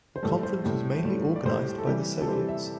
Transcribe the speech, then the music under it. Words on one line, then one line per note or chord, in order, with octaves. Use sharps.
The conference was mainly organized by the Soviets.
C5
A2 G3 A4
C5
A2 G3
A2 G3
D5
A2 G3 C5
G4
A4
C3 E3 G3 G4
A4
C3 E3 G3 C5
E5